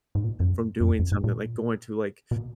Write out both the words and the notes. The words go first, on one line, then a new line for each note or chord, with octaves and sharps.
from doing something, like going to, like,
G#2
A#2
F#2
F#2
F2
F#2
G#2
A#2
B2